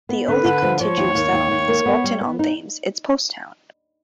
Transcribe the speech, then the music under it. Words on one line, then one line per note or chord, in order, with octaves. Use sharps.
The only contiguous settlement is Walton-on-Thames, its post town.
B3
D3 B4
D3
F3
F3 C#5
D#2
D#2
D#2
D#2
A#3
B3
G3
B3
D#4